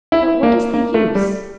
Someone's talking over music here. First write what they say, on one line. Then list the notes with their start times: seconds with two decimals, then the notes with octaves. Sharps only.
But what is the use?
0.12 E4
0.43 A#3
0.74 A#3
0.94 A3
1.15 G3